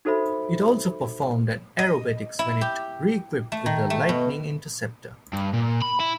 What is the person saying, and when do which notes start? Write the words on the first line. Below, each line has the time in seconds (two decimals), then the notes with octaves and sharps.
It also performed aerobatics when it re-equipped with the Lightning interceptor.
0.05 D#4 F#4 A4 C5 E5 B5
1.79 D#5
2.39 E4
2.61 G4
3.52 A3
3.66 D#3
3.90 A3
4.09 B2
5.33 G2
5.54 A#2
5.82 B5
6.00 E4